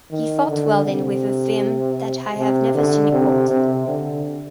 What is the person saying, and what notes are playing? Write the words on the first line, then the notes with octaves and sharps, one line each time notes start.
He fought well and with a vim that I have never seen equaled.
D#3
D3
C3
C3
D3
C3
C3
D3